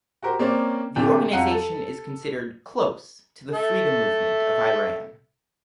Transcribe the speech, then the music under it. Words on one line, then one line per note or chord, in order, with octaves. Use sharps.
The organization is considered close to the Freedom Movement of Iran.
F#4 G4 A#4 C5
A#3 C4 C#4 C5 D5
D1 C3 D4 G5
F2 F5 F#5 A#5 C#7 D#7
A4
A4 E5